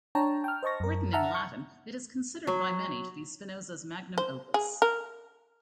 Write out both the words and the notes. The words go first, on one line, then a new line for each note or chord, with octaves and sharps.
Written in Latin, it is considered by many to be Spinoza's "magnum opus".
D4 C#5 G5 A5 A#5
G5 F6
C5 D#5 A5 C#6 A#6
F#2 A#4
E5 F#5 A5 A#5 F6
C#6
F#3
C5
G#4
A#4